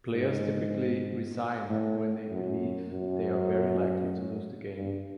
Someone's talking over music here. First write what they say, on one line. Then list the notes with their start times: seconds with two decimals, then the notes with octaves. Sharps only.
Players typically resign when they believe they are very likely to lose the game.
0.15 G#2
1.70 A2
2.31 F#2
2.93 F#2
4.78 G2